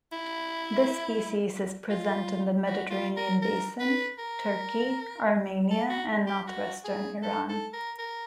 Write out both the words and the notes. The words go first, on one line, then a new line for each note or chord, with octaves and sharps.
This species is present in the Mediterranean Basin, Turkey, Armenia and northwestern Iran.
E4
F4
F#4
F4
A#4
A#4
B4
A#4
A4
F#4
G4
F#4
G#4
A4
A4
A#4
A#4